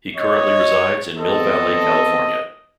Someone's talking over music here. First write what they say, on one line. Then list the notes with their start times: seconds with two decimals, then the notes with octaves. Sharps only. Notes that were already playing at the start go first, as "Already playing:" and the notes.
He currently resides in Mill Valley, California.
0.17 C#5 D#5
1.17 E2 C4 A4 D#5